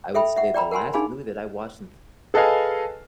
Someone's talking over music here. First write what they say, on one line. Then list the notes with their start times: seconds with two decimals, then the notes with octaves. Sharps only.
I would say the last movie that I watched in th
0.15 A4 E5 G5 B5
0.36 E5 F#5
0.54 D5 G5 A#5 B5
0.71 A#4 F#5 G#5 B5 C6
0.94 D4 D#4 G#4 F5 G#5 B5
2.34 G#4 A4 B4 D#5 F5 G#5